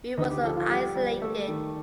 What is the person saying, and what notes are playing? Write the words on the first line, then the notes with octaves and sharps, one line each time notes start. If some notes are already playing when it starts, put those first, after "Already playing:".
We were so isolated.
D2 D#4
G4
F3 A4
F4
G3 G4
G3
A3 A4
D#3